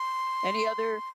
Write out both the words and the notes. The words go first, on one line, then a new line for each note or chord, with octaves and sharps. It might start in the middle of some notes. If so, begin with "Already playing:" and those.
Any other
Already playing: C6